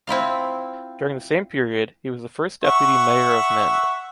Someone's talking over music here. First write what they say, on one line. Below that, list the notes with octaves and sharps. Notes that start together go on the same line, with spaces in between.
During the same period, he was the first deputy Mayor of Mende.
C4 E4 F4 F5
E5 F#5 C#6